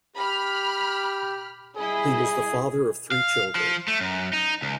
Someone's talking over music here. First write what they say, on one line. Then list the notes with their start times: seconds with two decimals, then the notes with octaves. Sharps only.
He was the father of three children.
0.16 G4 B5 F6
1.77 G3 E4 G#4 D#5
3.12 F5
3.55 F3
3.88 A3
4.01 F#2
4.33 D#4
4.62 C#2